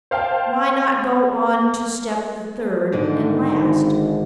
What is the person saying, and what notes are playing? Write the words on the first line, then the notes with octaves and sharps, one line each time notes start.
Why not go on to step the third, and last?
C5 F5 G5 A5
G#2 D3 D#3
G#1